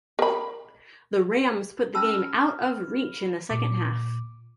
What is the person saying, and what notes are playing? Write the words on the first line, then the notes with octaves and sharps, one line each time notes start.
The Rams put the game out of reach in the second half.
A#4 B5
C#4 A5 B5 E6 F6 A#6
A#2 D6